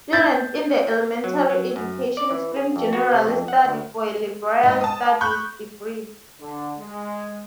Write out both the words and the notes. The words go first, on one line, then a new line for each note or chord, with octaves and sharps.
Students in the elementary education stream generally study for a Liberal Studies degree.
G6 A6
F#3
F#3
F#2
D5
E3
G#4
F2
F#4
C3
F2
F#5
D2
G#2 D#5
A5 D#6
B5 C#6 F#6 G6
D3
G#3